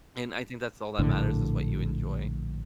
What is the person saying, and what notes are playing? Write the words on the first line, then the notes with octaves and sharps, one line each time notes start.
And I think that's all that matters is what you enjoy.
A#1 A2 D3